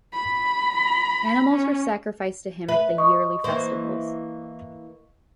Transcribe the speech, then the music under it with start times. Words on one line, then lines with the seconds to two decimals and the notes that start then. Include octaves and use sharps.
Animals were sacrificed to him at the yearly festivals.
0.13 B5
1.51 C#4
2.68 B4 E5
2.97 D#5 C#6 D#6
3.44 E3 A#3 C5